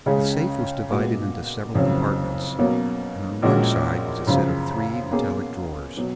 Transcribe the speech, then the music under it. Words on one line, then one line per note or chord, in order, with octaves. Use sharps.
The safe was divided into several compartments, and on one side was a set of three metallic drawers.
C#2 C#3 G#3 C#4 G#4
A#2 G#3 B3 F#4
F#1 F2 C#3 F#3 C#4
B2 F#3 A#3 C#4
A#1 A#2 G#3 C#4 F#4
F#2 C#3 F3
B2 A#3 C#4 G#4
B2 F#3